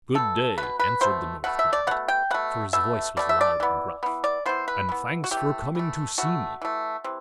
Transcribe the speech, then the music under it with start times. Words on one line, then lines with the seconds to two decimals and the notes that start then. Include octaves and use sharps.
'GOOD DAY!' answered the North Wind, for his voice was loud and gruff, 'AND THANKS FOR COMING TO SEE ME.
0.15 B2 A3 A4
0.58 A3 B4
0.63 B2
0.80 B4
1.01 B2 A3 C5
1.44 B2 A3 F#5
1.59 E5
1.73 D5
1.87 B2 A3 F#5
2.08 G5
2.31 B2 A3 F#5
2.73 B2 A3 E5
3.17 B2 A3 D5
3.29 E5
3.41 D5
3.60 E3 B3
4.03 E3 B3
4.24 D5
4.46 E3 B3 C5
4.68 B4
4.89 E3 B3
5.24 F#4
5.31 E3 G4
5.37 A3
5.75 E3 A3
6.18 E3 A3 F#4
6.62 E3 A3
7.04 C3 E3